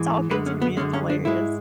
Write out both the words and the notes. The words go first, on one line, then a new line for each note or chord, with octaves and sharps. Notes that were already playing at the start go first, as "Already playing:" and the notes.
talking to me, it's hilarious.
Already playing: G#2 E3 G#3
F#2 D3 G#3 B4
C#4
B3
F#2 D3 G#3 C#4
C#4
D4
G#2 G#3 E4